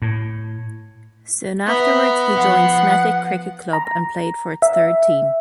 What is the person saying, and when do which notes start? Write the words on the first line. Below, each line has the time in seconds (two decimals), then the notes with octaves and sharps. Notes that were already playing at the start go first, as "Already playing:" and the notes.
Soon afterwards, he joined Smethwick Cricket Club and played for its third team.
0.02 A2
1.67 B3 E5 A#5
2.36 F3 F#5
3.73 A#5
4.62 E5